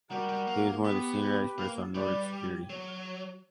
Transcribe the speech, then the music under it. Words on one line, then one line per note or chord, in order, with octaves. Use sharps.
He was one of the senior experts on Nordic security.
G3 F#4 A#4
G3
A#3
B3 G4 B4
A#3
G3 B4 D5
G4
F#3